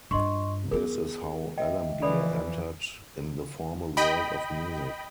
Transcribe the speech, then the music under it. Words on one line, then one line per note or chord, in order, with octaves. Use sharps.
This is how Alamgir entered in the formal world of music.
G2 F4 D#5 C6 C#6
B3 F4 G#4 A#4
D#5 E5 G5
E3 F3 A4 D5 B5
D#5 G5 B5